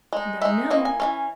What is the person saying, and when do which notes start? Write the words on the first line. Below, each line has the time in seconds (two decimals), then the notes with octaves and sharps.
No, no.
0.13 G#3 D#4
0.41 G#3 D#4 E5
0.70 E3 A#3 D#5
0.85 G#5
1.00 E3 A#3 C#4